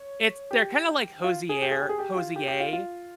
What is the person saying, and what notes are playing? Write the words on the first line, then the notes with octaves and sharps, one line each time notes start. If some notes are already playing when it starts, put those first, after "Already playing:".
it's they're kinda like Hozier Hozier
Already playing: C#5
G4
F4
G#4
G4
G#4
G4
G#4
G4
F4
G4
G4
F4
F4